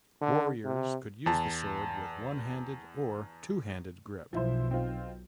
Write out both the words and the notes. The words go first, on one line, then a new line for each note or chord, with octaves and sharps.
Warriors could use the sword with a one-handed or two-handed grip.
D3
C3
E2 A5
B1 F3 E4 C5
C4 D#4 F4